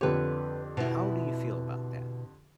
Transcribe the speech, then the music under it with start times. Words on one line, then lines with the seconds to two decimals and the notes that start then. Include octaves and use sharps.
how do you feel about that?
0.01 F2 D3 G4 B4 C#5
0.77 B2 E4